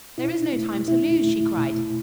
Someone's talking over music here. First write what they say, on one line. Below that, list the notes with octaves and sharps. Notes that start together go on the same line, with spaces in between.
"There is no time to lose," she cried.
B2 E4
A3
B2 E4
A3
B2